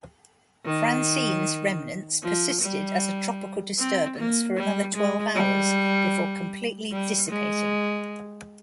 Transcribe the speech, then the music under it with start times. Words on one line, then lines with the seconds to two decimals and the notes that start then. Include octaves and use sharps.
Francene's remnants persisted as a tropical disturbance for another twelve hours, before completely dissipating.
0.66 D#3
2.23 F3
2.62 G3
3.79 C4
4.18 A#3
4.57 G3
4.95 G#3
5.35 G3
6.91 G3
7.29 G#3